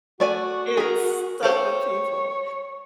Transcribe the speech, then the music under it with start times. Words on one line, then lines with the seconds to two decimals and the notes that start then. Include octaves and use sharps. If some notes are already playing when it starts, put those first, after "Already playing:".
It stuck with people.
0.20 A3 F#4 D5 G#5
0.77 G#4 A#4
1.43 G4 A4 C5 C#5